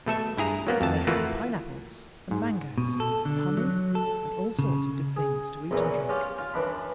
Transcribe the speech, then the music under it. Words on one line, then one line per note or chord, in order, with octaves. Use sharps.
And they had pineapples and mangoes and honey and all sorts of good things to eat and drink.
B2 A3 A4 E5
G2 E4 G#4 A#5
F#3 A#3 B3
F2 A3 A5
E3 A3 A#3 F4 F#4 B4
G#2
B2
A4
D3
F#3
A4
C#3
G#4
A#1 E2 A#2 E3 F#3
C#4 F4 G4
F4
F#2 E3 D4 B5